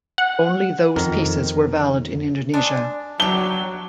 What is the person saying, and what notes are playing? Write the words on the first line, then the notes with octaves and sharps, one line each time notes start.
Only those pieces were valid in Indonesia.
F#5
F2 D#3 A#4
G#3 D4
F#3 D4 G4 G7